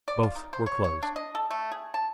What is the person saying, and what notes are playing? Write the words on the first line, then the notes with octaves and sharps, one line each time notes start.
Both were closed.
D5
F4
D#4
C5
C#5
C#5
D4
D#5
A4
A3
G#4
A5